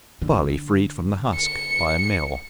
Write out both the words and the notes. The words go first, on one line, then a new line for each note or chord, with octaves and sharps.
Barley freed from the husk by a mill.
D3
C#7